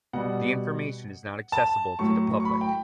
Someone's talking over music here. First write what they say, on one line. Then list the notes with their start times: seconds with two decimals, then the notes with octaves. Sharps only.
The information is not accessible to the public.
0.13 B2 G3 F#5
1.52 A5
1.99 A2 F#3 C#6
2.40 C#6
2.45 B5
2.61 G5